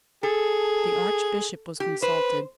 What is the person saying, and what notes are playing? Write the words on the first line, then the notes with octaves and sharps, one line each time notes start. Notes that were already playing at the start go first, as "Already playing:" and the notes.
The Archbishop was consulted.
G#4 A4
G4
B4 C5